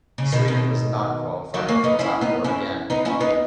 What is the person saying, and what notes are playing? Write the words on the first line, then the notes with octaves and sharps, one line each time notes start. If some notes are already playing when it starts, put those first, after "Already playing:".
Sweden was not qualified for the top four again.
C#3
B2 D#3
B2 D#3
D#3 F#3
A#3 C#4
B3 D#4
C#4 E4
B3 D#4
C#4 E4
B3 D#4
C#4 E4
B3 D#4